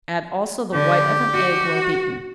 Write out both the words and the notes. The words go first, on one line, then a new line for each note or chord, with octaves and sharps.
Add also the white of an egg well-beaten.
D3 G4
F#4